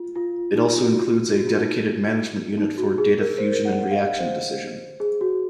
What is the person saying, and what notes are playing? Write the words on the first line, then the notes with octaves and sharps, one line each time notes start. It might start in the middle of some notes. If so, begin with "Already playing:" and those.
It also includes a dedicated management unit for data fusion and reaction decision.
Already playing: F4
F4
D#4
F4
F#4
F4
F#4
F4
D#4
D#4
F#4
G#4
A#4
C5
A#4
F#5
F#5
F5
D#5
C5
G#4
F#4